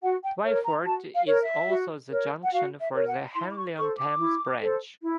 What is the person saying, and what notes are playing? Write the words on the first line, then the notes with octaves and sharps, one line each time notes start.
Twyford is also the junction for the Henley-on-Thames branch.
F#4 F#5
G5
A#4 C#5
A#5
F#4 A5
F5
A#4 C#5
E5
F#4
A#4 C#5
F#5
F#4 F5
E5
A#4 C#5
F#5
E4 C6
D6
C#6
A4 C5 C#6
D6
E4
A4 C5
E4